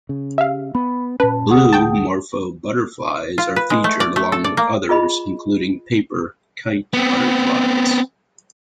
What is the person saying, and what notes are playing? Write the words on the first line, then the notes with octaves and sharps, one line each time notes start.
Blue morpho butterflies are featured along with others, including paper kite butterflies.
C#3
G4 E5 F5
B3 B5
A#2 C#4 B4 A5
D2 G#4 F#5 D#6
G5 A5
F4
B4
G#3
A3
D5
A3
A4
D5
A#3
F4 G#4 D#5 B5
B3 C4